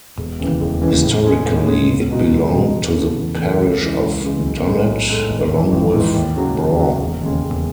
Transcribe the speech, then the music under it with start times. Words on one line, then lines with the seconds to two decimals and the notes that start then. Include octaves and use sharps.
Historically, it belonged to the Parish of Dunnet, along with Brough.
0.18 E1
0.40 D#2 C#3 E3
0.61 E1
0.82 D#2 C#3 E3
1.03 A2
1.24 G#3 C#4 G#4
1.46 A2
1.67 G#3 C#4 G#4
1.89 C#2
2.11 B2 G#3 D#4 F#4
2.31 C#2
2.52 B2 G#3 D#4 F#4
2.74 E2
2.95 C#3 E3 A3
3.17 E2
3.38 C#3 E3 A3
3.60 C#2
3.81 C#3 E3 G#3
4.01 C#2
4.23 C#3 E3 G#3
4.44 B1
4.66 A2 G#3 D#4 A4
4.87 B1
5.08 A2 G#3 D#4 A4
5.30 G#1
5.51 G#2 E3
5.72 G#1
5.94 G#2 E3
6.15 D#2
6.36 C#3 F#3
6.57 D#2
6.79 C#3 F#3
7.01 E1
7.21 D#2 C#3 G#3 C#4
7.43 E1